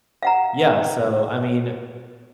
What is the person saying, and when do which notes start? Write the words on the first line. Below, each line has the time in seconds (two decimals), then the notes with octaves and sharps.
Yeah, so, I mean,
0.23 F5 F#5 A#5